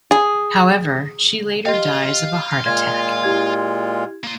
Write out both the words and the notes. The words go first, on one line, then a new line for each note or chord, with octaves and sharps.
However, she later dies of a heart attack.
G#4
G4 D#5 F5 G5 C6
A#2 G#3 F4 G#6
E4 G4 G#6
A#3 C6